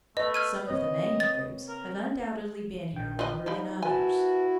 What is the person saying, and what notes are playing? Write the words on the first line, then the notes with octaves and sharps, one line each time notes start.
Some of the main groups have undoubtedly been here longer than others.
A3 B4 D#5
F6 G#6 D#7
A#3 C4 C#5 D#5
A6
A#4
A#1 G5
F4 B4 D#5
F3 G3 D#4
E4 F#4 A#4 B4 G#5 A5